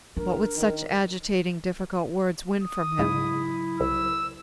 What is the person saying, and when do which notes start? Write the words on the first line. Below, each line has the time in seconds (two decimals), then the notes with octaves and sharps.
What would such agitating, difficult words win from him?
0.17 D4 A#4
0.56 D#3
2.63 D#6
2.99 G#2 C#3 F#3 E4
3.80 C2 E6